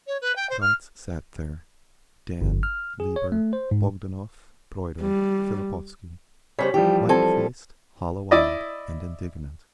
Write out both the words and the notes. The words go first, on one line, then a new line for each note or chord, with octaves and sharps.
Gotz sat there, Dan, Lieber, Bogdanov, Broido, Fillipovsky,--white-faced, hollow-eyed and indignant.
C#5
B4
G5
C5
F6
G1
F6
G#4
C#5
A3
C5
G#2
G3
C#3 G3 C5 C#5 B6
E3 F3 G3 G4
C4 A4 G#5
E4 D5 D#5